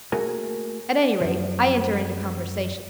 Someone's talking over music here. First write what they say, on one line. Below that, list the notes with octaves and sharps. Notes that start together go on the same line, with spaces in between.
At any rate, I enter into conversation.
A3 A#3 F#4 G#4 A#4 G#5
F#2 F3